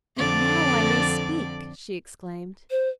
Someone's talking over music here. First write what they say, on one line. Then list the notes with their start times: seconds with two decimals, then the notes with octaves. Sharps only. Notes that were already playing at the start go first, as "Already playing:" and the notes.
"Now I may speak!" she exclaimed.
0.17 F2 D3 D5
2.71 C5